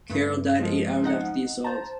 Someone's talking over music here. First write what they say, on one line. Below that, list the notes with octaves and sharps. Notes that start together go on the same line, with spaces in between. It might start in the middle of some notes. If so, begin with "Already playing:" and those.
Carroll died eight hours after the assault.
G2 C#3 A3
F3 G#3
D#4 D#5 F#5
C5 A5 A#5